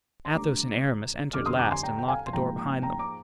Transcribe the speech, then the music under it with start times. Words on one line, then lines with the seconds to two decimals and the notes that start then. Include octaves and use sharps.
Athos and Aramis entered last and locked the door behind them.
0.25 C6
0.34 D2 D3 G3 A#5 D6
1.33 F2 D3 G3 D6 F6
1.46 C6 D#6
1.59 A#5 D6
1.71 G#5 C6
1.83 G5 A#5
1.98 G5
2.08 F5 G#5
2.26 C6
2.33 G#2 F3 A#3 G5 A#5
2.82 G5 A#5
2.99 A#5 D6